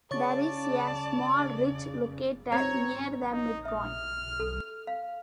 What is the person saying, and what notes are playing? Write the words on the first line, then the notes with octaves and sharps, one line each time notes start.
There is a small ridge located near the midpoint.
C#3 C#5 D5 A5 C#6 A6
C4 C#5 A#5 G#6
D#4
E5 D#6 F6
A4
F5